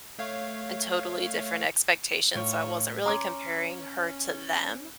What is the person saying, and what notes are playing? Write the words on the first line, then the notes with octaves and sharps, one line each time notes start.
and totally different expectations, so I wasn't really comparing her to them
A3 C#5 F5
A2 D#4 F4 C#5
C#4 C#5 A#5 C6 D6